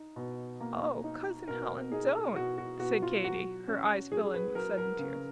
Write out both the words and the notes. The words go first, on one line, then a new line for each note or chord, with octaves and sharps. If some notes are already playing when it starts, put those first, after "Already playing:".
"Oh, Cousin Helen, don't!" said Katy, her eyes filling with sudden tears.
Already playing: D#4
B2
A#3
D#4
B2 A#4
D#4 G#4
B2 F#4
F#4
B2 F#4
F4
F#3 F#4
C#4
F#3 G#4
B4
F#3 A#4
A#4
C#3